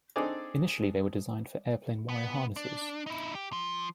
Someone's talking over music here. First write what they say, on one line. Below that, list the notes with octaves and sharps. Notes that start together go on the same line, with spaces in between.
Initially they were designed for airplane wire harnesses.
C4 D4 D#4 G#4 A4 D5
B3
D4
D#4 E4
G4
F3